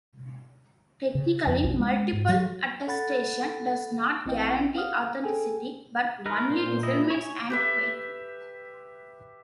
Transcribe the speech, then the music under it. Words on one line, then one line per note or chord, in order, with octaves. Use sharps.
Technically, multiple attestation does not guarantee authenticity, but only determines antiquity.
C#3
F2
B1
G#3
G#2
F#3
A4 F#5 B5 A6
A#1 C4 E4 D#5 G5
F5 F#5 D#6 F6
G#4 A4 G5 G#5
D#4 A#4 B4
A#2 C5
E4 D#5
C#5 G#5
G4 B4 E5